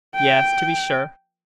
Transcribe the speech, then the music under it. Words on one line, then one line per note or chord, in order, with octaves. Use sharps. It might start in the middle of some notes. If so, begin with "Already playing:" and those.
"Yes, to be sure."
G5